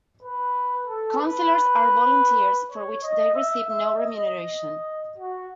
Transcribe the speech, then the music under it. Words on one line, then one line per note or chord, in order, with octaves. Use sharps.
Councillors are volunteers for which they receive no remuneration.
B4
A4
B4
C#5
D#5
E5
E5
D#5
F#4